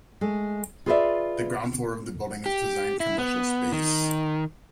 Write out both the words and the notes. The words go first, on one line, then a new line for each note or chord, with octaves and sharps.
The ground floor of the building is designed commercial space.
G#3 A3
F4 G#4 B4 C5 D5 E5
G4
E4
B3
D#3